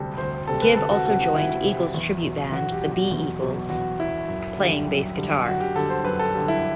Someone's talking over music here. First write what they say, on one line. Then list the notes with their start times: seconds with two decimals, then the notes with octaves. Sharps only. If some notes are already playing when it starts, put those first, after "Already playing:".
Gibb also joined Eagles tribute band, The B-Eagles, playing bass guitar.
Already playing: D2 C3 G3 A4
0.18 D2 C5
0.48 C3 G3 A4
0.62 B4
0.76 D2 A4
0.91 F#4
1.06 C3 G3 F#4
1.21 F#4
1.35 D2 E4
1.64 C3 G3
1.94 E2
2.23 B2 F#3
2.52 E2 F#4
2.72 G4
2.82 B2 F#3
2.92 F#4
3.11 E2
3.40 B2 F#3
3.69 E2 F#4
3.99 B2 F#3 E4
4.28 F#2
4.57 D3 G3
4.87 F#2
5.17 D3 G3
5.45 F#2 F#4
5.60 G4
5.75 D3 G3 A4
5.90 C5
6.04 F#2 B4
6.19 A4
6.33 D3 G3
6.48 E4